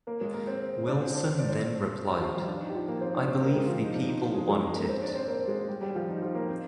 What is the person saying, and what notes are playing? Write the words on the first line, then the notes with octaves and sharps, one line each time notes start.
Wilson then replied, I believe the people want it.
A#3 A#4
G#3 G#4
A#3 A#4
C4 C5
D4 D5
C4 C5
D4 D5
C5
D5
C4 C5
F3 F4
G3 G4
D4
D#4
G4
F3 F4
A#3 A#4
C4 C5
D4 D5
C4 C5
A#3 A#4
G4
G#3 G#4
F3 F4
D#4
D4
D#4
F3 F4
G#3 G#4
G#3 G#4
G#3 G#4
A#3 A#4
C4 C5
D4 D5
C4 C5
A#3 A#4
G#3 G#4
G3 G4
G3 G4
F3 F4
D#4
F3 F4
A#3 A#4
C4 C5